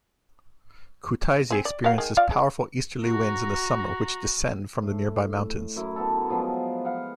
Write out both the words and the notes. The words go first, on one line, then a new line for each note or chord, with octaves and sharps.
Kutaisi experiences powerful easterly winds in the summer which descend from the nearby mountains.
C4 G#4
D5
F#4 A#4 F5
D#3 G#3
F4 D5 F5
G#3
F#4 A#5
A2
F#2 E4
B3 E4 A4
F3 F#3 G#3 B3
B4 F5 F#5